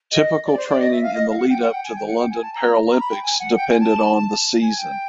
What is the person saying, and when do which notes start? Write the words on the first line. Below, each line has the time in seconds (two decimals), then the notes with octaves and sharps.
Typical training in the lead up to the London Paralympics depended on the season.
0.11 D#5
0.45 D5
0.57 C5
0.69 D5
0.80 D#5
0.92 E5
1.03 F5
1.14 D#5
1.29 F5
1.37 F#5
1.49 G5
1.61 F#5
1.73 G5
1.84 G#5
1.95 G5
2.07 F#5
2.18 G5
2.30 G#5
2.42 A5
2.54 A#5
2.87 A#5
3.00 B5
3.10 G5
3.22 G#5
3.39 F#5
3.57 G5
3.69 G#5
3.80 A5
4.61 G#5
4.78 G5